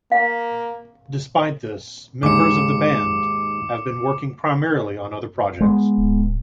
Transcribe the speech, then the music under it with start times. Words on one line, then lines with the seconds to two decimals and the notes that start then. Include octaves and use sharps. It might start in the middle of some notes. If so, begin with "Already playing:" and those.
Despite this, members of the band have been working primarily on other projects.
0.12 A#3 F5
2.23 D#2 G#2 D6 C#7
5.61 G#3 A3 B3
5.97 D1